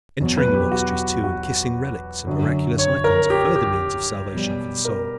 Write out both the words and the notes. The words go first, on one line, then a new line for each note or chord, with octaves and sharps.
Entering monasteries too and kissing relics and miraculous ikons, are further means of salvation for the soul.
E2 B2 F#3
B4
G4
F#4
F#4
F#2 D3 F#3
C#5
A#4
G4
G4
B2 G3
A#4